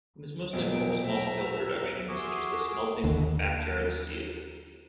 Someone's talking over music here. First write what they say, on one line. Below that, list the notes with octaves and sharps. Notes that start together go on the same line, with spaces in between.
This mostly involved small-scale production, such as the smelting of "backyard" steel.
B1 E2 A#2 C5 D7
E5 A#5
F#4 G#4 E5 C6 D6
D#2 D3